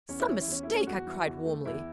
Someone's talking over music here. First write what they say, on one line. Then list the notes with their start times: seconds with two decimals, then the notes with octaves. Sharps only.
'Some mistake!' I cried, warmly.
0.08 E2 C#4
0.20 E4
0.28 E3 C#4
0.41 E4
0.48 E2 C#4
0.63 A3 E4
0.74 C#4
0.87 E2 F#4
1.07 E3
1.26 E2
1.46 A3
1.65 E2 E4